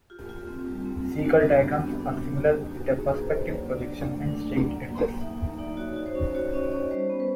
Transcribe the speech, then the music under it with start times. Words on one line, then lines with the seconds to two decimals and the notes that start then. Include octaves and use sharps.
Schlegel diagrams are similar, with a perspective projection and straight edges.
0.10 F4 G4
0.29 F4
0.48 C4
0.67 G3
0.86 C4
1.05 G3
1.24 D4 F#4
1.42 B3
1.53 G4
1.62 B3
1.80 B3
2.00 D4
2.19 D4
2.37 A#3 G4
2.56 D#4 F#4
2.75 F#4 G4
2.94 F#4 G#4
3.08 A#3 B4
3.22 C5
3.32 A#3 C#5
3.51 F#3 D5
3.69 D4 D5
3.88 D4
4.08 A3
4.27 D4
4.45 F#3
4.65 A#3
4.83 A#3
5.02 A#3
5.21 D#4 E5
5.40 A#3
5.59 D#4 D5
5.69 D5
5.77 F#4 C#5
5.96 F#4
6.06 C5
6.15 C#4
6.34 F#4 C#5
6.54 C#4 D#5
6.63 D5
6.72 C#4
6.91 G3 C5
7.10 B3
7.20 B4